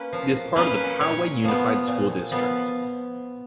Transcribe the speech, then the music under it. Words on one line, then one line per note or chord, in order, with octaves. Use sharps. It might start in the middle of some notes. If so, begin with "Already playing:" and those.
It is part of the Poway Unified School District.
Already playing: A#3 C#4 B4
F3
A#3 C#4 B4
A#2 C#5
F3 B3
A#2
F3 B3